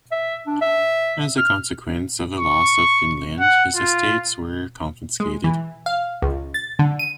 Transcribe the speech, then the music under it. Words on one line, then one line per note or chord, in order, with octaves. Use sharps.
As a consequence of the loss of Finland his estates were confiscated.
E5
D4
E5
F6
C#6
F#5
F4
G#3
E3
F5
C#2
A6
D3
D#7